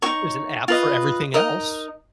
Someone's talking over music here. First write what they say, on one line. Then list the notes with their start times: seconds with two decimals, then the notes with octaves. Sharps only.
Th there's an app for everything else.
0.02 F#4 C#5 C#6
0.06 D#4
0.68 F4 B4 D#5
1.34 D#4 A#4 D#5